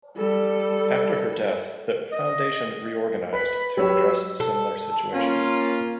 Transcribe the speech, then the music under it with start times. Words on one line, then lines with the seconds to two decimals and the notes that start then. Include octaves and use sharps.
After her death, the foundation reorganized to address similar situations.
0.17 G3 A4
2.12 D#5
3.33 B4 B5
3.77 F#3 G4 B4 C#5 B5 E6
4.40 A4
5.14 A#3 C#4 F4